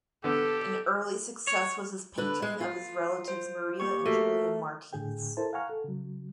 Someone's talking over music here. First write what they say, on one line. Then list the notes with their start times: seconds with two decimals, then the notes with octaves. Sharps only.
An early success was his painting of his relatives Maria and Julian Martinez.
0.24 D3 B3 G4 A4
1.47 C#5
2.18 D3 B4
2.42 G#3
2.61 F4
3.28 C5
3.80 A#3 G4 C#6
4.06 A3 F#4 A4 A#4
4.93 A2 D3 G#4 G5
5.37 E4 A4 A#4 C5 A5
5.53 F5 F#5 G#5 A#5 C#6 F6
5.69 A4
5.84 C#3 F#3